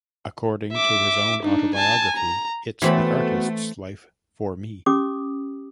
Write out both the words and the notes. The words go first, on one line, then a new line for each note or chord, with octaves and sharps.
According to his own autobiography, It's the Artists' Life for Me!
E5 D6
D4 D#4
G#5 A5
A#5
E3 A3 B3 C4 F#4 B5
C#4 G4 D6 D#6